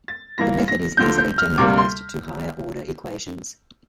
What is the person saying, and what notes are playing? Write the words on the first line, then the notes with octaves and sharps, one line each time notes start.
The method is easily generalized to higher order equations.
A6
G2 E3 A#3 A#6
A#6
D2 D3 F3 G6
G6
F6
D2 C3 G3 A#3 D6
C6